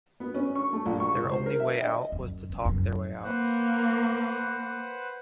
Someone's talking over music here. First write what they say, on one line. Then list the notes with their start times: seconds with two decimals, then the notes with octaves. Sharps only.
Their only way out was to talk their way out.
0.20 B3
0.35 C#4
0.55 C#6
0.73 A3
0.86 A#1
1.00 C#6
1.14 C#2
1.30 C5
1.46 A#4
1.60 E5
1.81 D#5
2.12 F#2
2.50 C#3
2.65 F#2
3.24 A#3 B4 C5 F#5